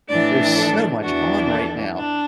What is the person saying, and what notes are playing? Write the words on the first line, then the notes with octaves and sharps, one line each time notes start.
there's so much on right now
A2 E3 D4 D5
A4
E2 E3 D4 F#4
A4
D4